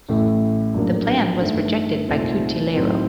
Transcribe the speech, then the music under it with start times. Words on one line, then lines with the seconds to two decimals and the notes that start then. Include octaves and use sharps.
This plan was rejected by Cutileiro.
0.09 A1 A2 A3
0.75 A#1 A2 F#3 A#3 D4
1.41 G2 D#3 A3
2.08 C2 A#2 A3 C4 D#4
2.74 A2 F#3 C4 D#4